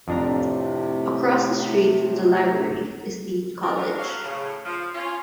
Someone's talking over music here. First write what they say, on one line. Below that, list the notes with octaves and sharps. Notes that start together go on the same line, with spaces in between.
Across the street from the library is Dean College.
F2 A2 C3 D4 A#5
B2 A#4 D5
B3 D4 F4 A#4 C#5 D5
F#3 F5
A2 C#3
F3
C#4 F4